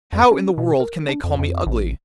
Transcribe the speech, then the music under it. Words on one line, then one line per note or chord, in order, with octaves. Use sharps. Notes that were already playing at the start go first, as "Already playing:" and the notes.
How in the world can they call me ugly?
F2
C#4
B2
A#4
D4
F2
F2
A1